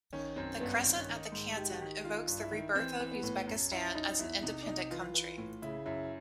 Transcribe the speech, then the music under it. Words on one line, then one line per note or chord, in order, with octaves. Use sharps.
The crescent at the canton evokes "the rebirth of" Uzbekistan as an "independent" country.
D#3 C#4
F#2 C4
G2 B3
C4
D#3
C#4
D#3
D#4
G#2
D#3 G4
F#4
D#3 G4
D#3 F4
G2
E4
D#3
E3 C4
E3
B3
A2
F#2
F#2 E4
F#2 D#4
E2 E4
C3 D#4
D4
C3 D#4
E3 F4
E3
A2
C#3 E4
F#2 E4